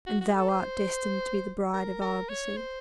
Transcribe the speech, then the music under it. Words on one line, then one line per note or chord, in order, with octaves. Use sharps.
'And thou art destined to be the bride of Arbaces.'
F#4
F#4
A4
C5
A#4
A#4
C#5
C5